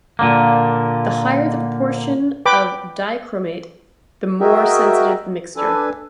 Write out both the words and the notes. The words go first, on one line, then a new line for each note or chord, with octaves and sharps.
The higher the proportion of dichromate, the more sensitive the mixture.
A#2 D3 A#3
B4 G5 B5 D6
F#4 G#4 A#4 D#5 E5 G5
D4 A4 B4 G#5